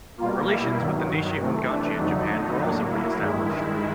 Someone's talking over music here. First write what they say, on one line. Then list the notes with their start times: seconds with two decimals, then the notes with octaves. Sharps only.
Relations with the Nishi Honganji in Japan were also reestablished.
0.17 B2 G3 A#3 F4
0.49 E4
0.78 G2 D#3 F#3
1.38 C3 E3 A3
1.68 D4
1.98 F2 D3 F#3 A3 D#4
2.58 A2 F#3 A#3 D4
2.88 E4
3.18 G2 D#3 G#3 E4